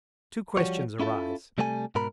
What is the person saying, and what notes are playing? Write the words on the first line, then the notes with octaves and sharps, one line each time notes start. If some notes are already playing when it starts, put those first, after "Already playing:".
Two questions arise.
F3 G3 F#4 C#5
C#4 E4 F4 A4
C3 G3 A3 A4 C#5 G#5
G#2 B2 A#4 B5